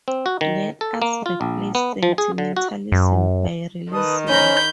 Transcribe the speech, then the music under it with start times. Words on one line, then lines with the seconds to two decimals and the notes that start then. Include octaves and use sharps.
Let us replace sentimentalism by realism.
0.08 C4
0.26 F#4
0.41 D#3
0.81 A4
1.02 A#3
1.26 F4
1.41 A#1
1.75 B3
2.03 F3
2.18 G#4
2.38 D3
2.57 F#4
2.92 F#2
3.92 D#3 B4 A5 D#6
4.29 C#4 C5 D#5 A#5 B5 G6